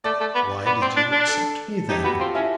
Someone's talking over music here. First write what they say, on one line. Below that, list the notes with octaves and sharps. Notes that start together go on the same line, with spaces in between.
"Why did you accept me then?"
A3 D5
A3
B3
B3 D5
C4
D4
D4
A4
D#4 G4
B3 F#4
C4 F4
C#4 E4